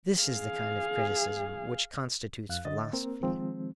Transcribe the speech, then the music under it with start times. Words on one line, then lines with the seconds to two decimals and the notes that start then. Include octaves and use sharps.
This is the kind of criticism which constitutes philosophy.
0.21 G#4 F5
2.49 F2 F5 F#6
2.65 D3 D#5 A6
2.93 A#3 C4 A#4
3.23 D#3 F3 G#3 C4